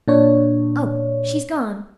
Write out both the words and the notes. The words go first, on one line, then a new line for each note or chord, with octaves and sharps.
"Oh! she's gone!"
A#2 D4 C#5